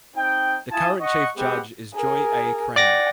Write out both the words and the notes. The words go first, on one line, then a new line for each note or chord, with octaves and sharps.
The current chief judge is Joy A. Kramer.
C4 D#4 G5
E4 F4 G#5 A5 D#6
D#5 F#5 C#6
G#3 B3 C4 G4 F#5
G#4 A#4
D5 F#5 G5 D6 A#6